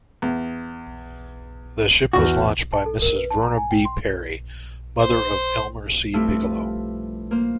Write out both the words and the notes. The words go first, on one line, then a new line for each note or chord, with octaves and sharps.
The ship was launched by Mrs. Verna B. Perry, mother of Elmer C. Bigelow.
E2
E2 F#4
A5
A4
A#4
B4
A5
A#5
G#5
G5
C6
C5
G2 F3 A3 C4 E4 F4
A#3 C5